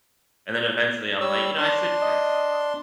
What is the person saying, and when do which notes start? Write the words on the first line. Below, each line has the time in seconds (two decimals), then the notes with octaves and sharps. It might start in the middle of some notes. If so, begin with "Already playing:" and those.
and then eventually I'm like, "You know, I should care."
1.20 G3 C#5 E6
1.58 D4 C6
2.02 D#5